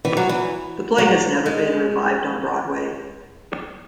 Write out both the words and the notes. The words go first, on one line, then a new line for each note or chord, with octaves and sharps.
The play has never been revived on Broadway.
E3
F#3
E3
F#3
G#3